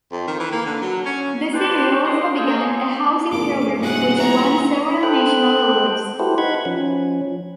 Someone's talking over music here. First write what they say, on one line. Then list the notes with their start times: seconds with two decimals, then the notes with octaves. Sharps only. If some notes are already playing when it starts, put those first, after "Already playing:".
The city also began a housing program which won several national awards.
0.12 F2
0.27 D#3
0.39 E3
0.52 A#3
0.66 D3
0.82 F#3
1.05 C#4
1.54 G4 B4 C5 D5 G5 A5
2.05 D3 G3 G#3 D#5 G5 C6
2.36 G#4 A4 C5 C#5 D#5 G#5
3.31 F#1 E2 A2 A#4 D6
3.80 D#1 G2 B2 G#4 E5 F#5
4.18 E4 C#5 E5 F#5 A#5
5.03 A4 C5 G5 F#6
6.20 E4 F#4 G4 A4 B4 C5
6.38 D#4 F#5 B5 G#6
6.65 F3 C#4